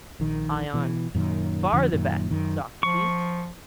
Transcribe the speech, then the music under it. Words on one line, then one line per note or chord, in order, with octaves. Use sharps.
ION: Far the best, Socrates.
A#1 D#3
B2 E3
F#2 A#2 D#3
F2 D3 F3
F#2 A#2 D#3
F#2 D#3
F3 C#6